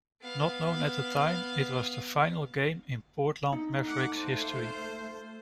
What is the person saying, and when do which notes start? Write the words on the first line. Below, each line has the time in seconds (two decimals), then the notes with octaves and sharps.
Not known at the time, it was the final game in Portland Mavericks' history.
0.22 B3 F5
3.53 D#4
3.85 A3 F#5 D6
4.17 F4 C5